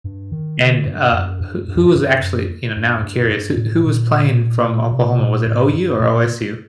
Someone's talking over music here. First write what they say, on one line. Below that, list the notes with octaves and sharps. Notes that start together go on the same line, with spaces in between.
And, uh, wh who's actually you know, now, I'm curious wh who was playing from Oklahoma, was it OU or OSU?
G2
D#3
D3
G2
F#2
G2
G2
F#2
G2
G2
F#2
G2
G2
A2
G2
A2
A#2
C3
C3
A#2
A2
G2
A#2